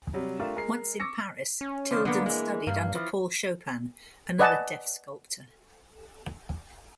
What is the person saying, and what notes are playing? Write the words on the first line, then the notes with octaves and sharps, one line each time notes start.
Once in Paris, Tilden studied under Paul Chopin, another deaf sculptor.
C3 F#3 G3
A3 D4 F4 G4 A#4
G#3 A#4 C7
C#6 D6 E6 A#6 C#7
C#4
D3 D#3 F3
D3 A#3 B3
E3 G#3
G2 A#3
E3 F3
B4 D5 D#5 F#5 G#5 A5